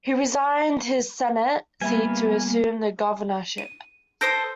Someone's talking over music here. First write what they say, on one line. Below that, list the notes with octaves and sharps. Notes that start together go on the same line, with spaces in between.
He resigned his Senate seat to assume the governorship.
G3 A#3 B3 B4 E5 G#5 B5
D#7
A4 C5 D#6 G6 A#6 D7